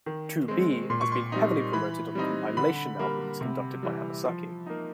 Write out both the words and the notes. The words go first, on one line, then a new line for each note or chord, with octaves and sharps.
"To Be" has been heavily promoted on compilation albums conducted by Hamasaki.
D#3
G#3 C4
A#2 C6
C#6
C6
G3 C4 D#4
E3 B5
G3 C4 D#4
D3 B5
G3 A#3
C3
E3 G3
F3
A#3 D#4